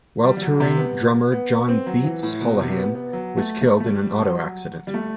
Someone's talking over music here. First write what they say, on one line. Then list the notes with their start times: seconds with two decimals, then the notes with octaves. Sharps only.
While touring drummer John "Beatz" Holohan was killed in an auto accident.
0.24 G3
0.37 G3
0.42 F#3
0.60 C3
0.78 B3
1.32 B3
1.69 C4
1.86 F#3
2.04 E3
2.23 A2
2.41 B2
2.59 C3
2.77 B3
2.95 B3
3.13 F#3
3.37 A3
3.61 A3
3.80 A3
3.86 G3
4.22 F#3
4.87 G3
4.94 A3